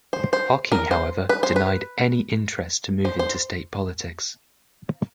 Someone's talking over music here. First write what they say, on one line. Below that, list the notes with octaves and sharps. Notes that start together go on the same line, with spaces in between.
Hockey, however, denied any interest to move into state politics.
C5
C5
A#4
C5
B4
C5
B4
C5
C5